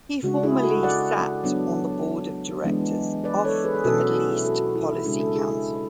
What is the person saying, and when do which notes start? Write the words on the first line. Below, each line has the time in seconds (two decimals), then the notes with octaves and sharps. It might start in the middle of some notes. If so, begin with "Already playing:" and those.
He formerly sat on the Board of Directors of the Middle East Policy Council.
0.23 C#3 G#3 D4 F#4
0.43 E4 G#4
0.63 F#4 A4
0.83 D5 F#5
1.44 F#3 B3 D4
2.64 E3 G#3 B3 D4
3.24 B4 D5
3.45 A4 C#5
3.64 G#4 B4
3.75 G#4
3.84 B2 F#3 C#4 F#4 A4
4.00 F#4
4.15 F#4
4.30 E4 G#4
4.45 F#4 A4
4.60 F#4
4.75 E4
5.05 C#3 G#3 D4 E4 G#4
5.20 F#4 A4
5.36 E4 G#4
5.50 E4 G#4